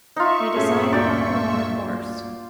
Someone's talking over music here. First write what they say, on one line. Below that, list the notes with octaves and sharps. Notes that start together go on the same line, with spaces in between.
We decided on the latter course.
D#4 F4 E5 C#6
G2 A#2 A3 C#4 G#4
D2 A#3 D5 G5